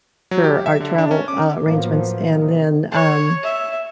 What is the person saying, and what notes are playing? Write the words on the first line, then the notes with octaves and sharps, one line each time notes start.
for our travel, uh, arrangements, and then, um,
F#3
G4
E5
D3
D4
C#4
D6
A2 F3 F#3 A#3 B3
C3 D#3
C#5
E5